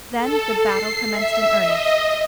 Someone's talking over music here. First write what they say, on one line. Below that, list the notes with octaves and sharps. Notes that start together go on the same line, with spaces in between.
Then the battle commenced in earnest.
A4
C7
E5
D#5